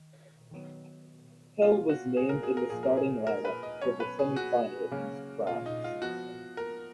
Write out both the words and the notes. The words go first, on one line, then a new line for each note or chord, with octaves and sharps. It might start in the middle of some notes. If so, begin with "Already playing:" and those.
Hill was named in the starting line up for the semi-final against France.
Already playing: D#3
D#3 F#3 B3
B2 A#3 C#4 F4
F#4
G#4
A#4
G#4
A#4
A#2 F3 G#3 G#4
A#4
G#4
A#4
B4
D#5
B2 F#3 C#4 C#5
B4
G#4
F#4
C#3 F#3 A#3 C#4
F4
D#4
F4
F3 B3 F#4
A#4